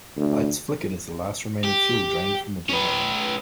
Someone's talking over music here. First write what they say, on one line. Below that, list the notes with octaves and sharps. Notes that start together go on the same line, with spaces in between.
Lights flickered as the last remaining fuel drained from the generator.
D2
G4
C#4 B4